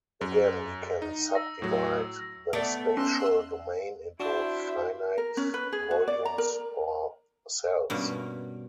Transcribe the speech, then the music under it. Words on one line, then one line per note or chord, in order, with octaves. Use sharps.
Again we can sub-divide the spatial domain into finite volumes or cells.
F#2
D#4
E6 A#6
A2 F#3
A3 B3 D5
C#4 C6 E6 F#6
D4 E4 F#4 C5 E5
A#4
C#4
B4
G#4
F#4
D5
A#5
A#4
G2 B2 A#3 C#4